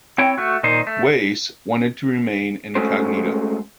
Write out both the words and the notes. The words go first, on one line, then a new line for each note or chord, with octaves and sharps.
Wace wanted to remain incognito.
C4 E4 C#5 G5
A3 F#4
A#2 D#3 D#4 C5
A3
G#3 A3 C#4 F#4 C5